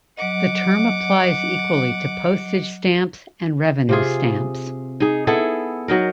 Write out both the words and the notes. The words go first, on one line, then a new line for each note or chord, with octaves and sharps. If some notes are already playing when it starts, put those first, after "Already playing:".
The term applies equally to postage stamps and revenue stamps.
F#3 D#5 F#5 D6
C3 F4 G#4
D#4 G#4
B3 E4 G#4 A4
F#3 D#4 A#4